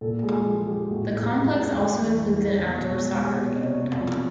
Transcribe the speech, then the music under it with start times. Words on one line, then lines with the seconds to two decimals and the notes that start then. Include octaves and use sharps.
The complex also includes an outdoor soccer field.
0.01 A#2 A4
0.23 G#3 G#4
0.45 F3 G#4
0.68 G#3 G4
0.89 A2 F#4
1.12 A2 G4
1.34 A2 G#4
1.57 G#3
1.78 A3
2.00 E3
2.22 E3
2.45 A3
2.67 B2
2.90 G#3
3.11 G#3 G4
3.26 G4
3.33 B2
3.41 C#5
3.55 C3 D#5
3.66 C#5
3.70 D5
3.78 C3
4.00 F3